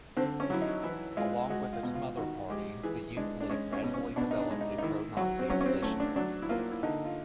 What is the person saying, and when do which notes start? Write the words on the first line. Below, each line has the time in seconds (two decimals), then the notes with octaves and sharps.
Along with its mother party, the youth league gradually developed a pro-Nazi position.
0.17 D3 C4
0.40 C#4
0.50 F#3 E4
0.62 D#4
0.83 E3 E4
1.17 G#3 F4
1.50 G#3 F#4
1.73 F4
1.83 B2
1.95 F4
2.17 D#3 F#4
2.50 G#3 G4
2.83 E3 G#4
3.17 G#3 D4
3.40 D4
3.50 G#3 C#4
3.73 C#4
3.83 B2
3.94 C#4
4.16 B2 D4
4.31 D#4
4.39 D4
4.50 G#3
4.61 D#4
4.78 D#4
4.83 D#3 E4
5.17 F#3 F#4
5.39 C4
5.50 F#3 C#4
5.61 C#4
5.66 C4
5.82 A3 C#4
6.00 D4
6.16 F#3 D4
6.42 E4
6.49 A#3 F4
6.72 E4
6.83 D3 D#4
7.05 F4